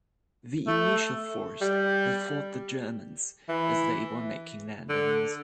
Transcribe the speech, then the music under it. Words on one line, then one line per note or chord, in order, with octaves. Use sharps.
The initial force had fought the Germans as they were making landings.
A3
G3
E3
D3